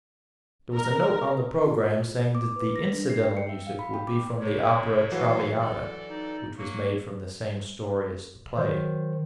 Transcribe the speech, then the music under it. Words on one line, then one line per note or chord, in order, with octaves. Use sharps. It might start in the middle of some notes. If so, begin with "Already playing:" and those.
There was a note on the programme, saying that the "incidental music" would be from the opera "Traviata," which was made from the same story as the play.
A#4
F4
D6
B4
A#6
D4
C7
G5
C#7
E5
F5
B5
G5
D6
C3 E4 C#5
E3 F#3 F#4 A4 F5
A4 D5
D#4
F#3 A#3 C#6
D#3 F#3 C5